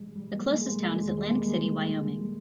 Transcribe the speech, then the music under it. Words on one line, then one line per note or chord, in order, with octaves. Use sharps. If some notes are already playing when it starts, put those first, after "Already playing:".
The closest town is Atlantic City, Wyoming.
Already playing: G2 E3 G3 G#3
G3
A#3
G#3
G#3
G3
A#3
E2 D#3 G#3
G#3
G3 A#3
G3
G#3